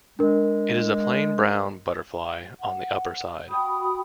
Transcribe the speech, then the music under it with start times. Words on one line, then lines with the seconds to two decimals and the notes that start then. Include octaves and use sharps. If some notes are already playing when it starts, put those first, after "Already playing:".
It is a plain brown butterfly on the upperside.
0.19 G#3 D4 A#4
2.61 F#5
3.48 F#4 G5 B5 D#6